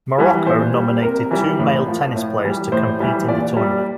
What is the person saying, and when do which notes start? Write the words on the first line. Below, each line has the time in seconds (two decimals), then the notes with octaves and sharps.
Morocco nominated two male tennis players to compete in the tournament.
0.18 E3 G3
0.46 A#2 C5
0.74 G3
1.02 C3 A#4
1.31 E3 G3
1.59 A2
1.88 F3
2.16 A2
2.44 E3 G3
2.72 A2 C5
3.00 E3 G3
3.28 A#2 D5
3.57 G3